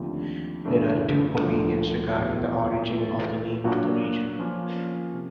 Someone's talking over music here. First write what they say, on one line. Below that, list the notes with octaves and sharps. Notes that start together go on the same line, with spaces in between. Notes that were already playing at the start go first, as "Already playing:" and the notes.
There are two opinions regarding the origin of the name of the region.
Already playing: D#2 D3 F3 A3 C4
F#2 C#3 E3 A3 D4
D2 D3 F3 A3
E2 B2 F#3
A2 E3 A3
A#2 F#3 A#3 D4 F#4
F3 A#3 C#4 F4
C3